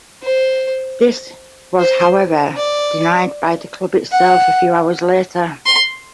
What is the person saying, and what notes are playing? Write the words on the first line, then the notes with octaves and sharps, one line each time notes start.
This was however denied by the club itself a few hours later.
C5
C5
D5
F#5
C6